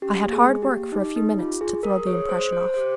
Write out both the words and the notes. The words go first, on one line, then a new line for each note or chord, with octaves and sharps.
I had hard work for a few minutes to throw the impression off.
C#4 G4
A#3
G#4
G#3
G4
A#3
D#4 G4
D#4 G#4
F4 G4
F4 G#4
G#4 A#4
C#5
C5
C5
G#4 C5
G4